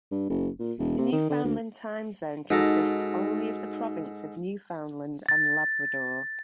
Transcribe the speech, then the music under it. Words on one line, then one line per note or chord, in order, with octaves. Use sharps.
The Newfoundland Time Zone consists only of the province of Newfoundland and Labrador.
G2
F#1
A#2
E1
C3
D#3
D3
D2
G#2 D#4 F#4 A4 A#5
A6